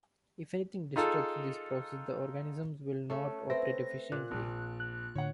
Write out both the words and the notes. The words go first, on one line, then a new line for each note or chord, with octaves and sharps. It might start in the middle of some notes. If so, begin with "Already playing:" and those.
If anything disrupts this process, the organism will not operate efficiently.
D#4 F4 G#4 A4
A3 C#4 A4
C4 B4 E5 A#6
A#2 F#6
A#1
F#6
A2 D3 C#5 F#5